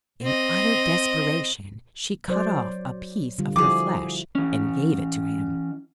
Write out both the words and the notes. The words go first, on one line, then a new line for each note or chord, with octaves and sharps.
In utter desperation she cut off a piece of her flesh, and gave it to him.
C4 D#5
F#3 C5 D5
D3 G3 F4
F3 E4 F#4 G#4 D6
E3 C#4